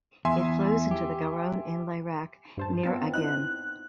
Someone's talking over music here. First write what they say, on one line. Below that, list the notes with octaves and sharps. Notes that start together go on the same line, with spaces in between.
It flows into the Garonne in Layrac, near Agen.
E2 E5 G#5 C6
G4
G2 C5 A5
B3 C4 F4 A5
D#4 E4 D#5 F#6